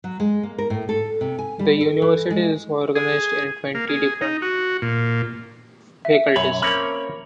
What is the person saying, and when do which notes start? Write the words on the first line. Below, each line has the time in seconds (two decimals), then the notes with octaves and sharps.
The university is organized in twenty different faculties.
0.04 F#3
0.20 G#3
0.43 A#3
0.58 A#4
0.70 A2
0.89 A4
1.21 C3
1.39 G#5
1.59 G3
1.81 A4
2.02 E3
2.31 G#3
2.95 G#4
3.75 A#3
3.89 G#4
4.21 D#4
4.42 F#4
4.82 A#2
6.05 E5
6.36 B1 F#2 C#5 B5
6.62 A#3 C4 C#4 A#4 C#5 B5